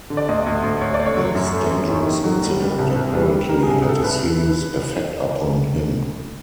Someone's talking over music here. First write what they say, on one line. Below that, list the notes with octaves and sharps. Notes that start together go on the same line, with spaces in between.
This dangerous incident apparently had a serious effect upon him.
D3
D5
D2 D#5
D2
D2
D2 C#5
D5
A3
C#5
F#3
F#2
A3
F#2
D#3
D#3
F#3
G3
G3
C2
C2
G3
G3
G3 A#4
G#4
C2
G#4
C2 A4
C2 B4